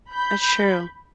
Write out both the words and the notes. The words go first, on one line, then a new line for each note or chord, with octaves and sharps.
That's true.
B5 G6